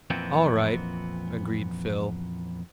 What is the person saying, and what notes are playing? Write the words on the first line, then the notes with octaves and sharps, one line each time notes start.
"All right," agreed Phil.
F2 A#2 E3 B3 C4